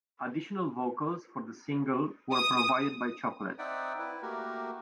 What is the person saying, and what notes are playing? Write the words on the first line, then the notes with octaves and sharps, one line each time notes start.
Additional vocals for the single were provided by Chocolette.
D#6
C4 D#4 D5 E5 F#5 G5
E4 B4
A3 A#3 F#4 G4 A#4